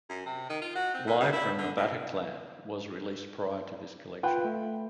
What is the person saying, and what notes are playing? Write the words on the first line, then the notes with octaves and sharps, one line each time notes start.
"Live from the Bataclan" was released prior to this collection.
F#2
C3
D#3
F4
F#4
C4
A2
G2
E4
D3
B2
F4 B4 G5
A3